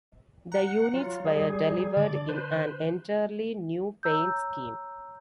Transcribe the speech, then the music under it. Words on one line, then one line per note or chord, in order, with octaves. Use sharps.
The units were delivered in an entirely new paint scheme.
F#5 A#5
F#3 F4
G3 G#4
D3 D5
B4 C5
C#5 A#5 E6 G6